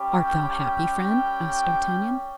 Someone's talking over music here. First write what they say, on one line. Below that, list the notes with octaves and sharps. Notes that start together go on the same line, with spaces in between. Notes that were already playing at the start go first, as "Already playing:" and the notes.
"Art thou happy, friend?" asked D'Artagnan.
Already playing: G3 C#4 G4
G5
G5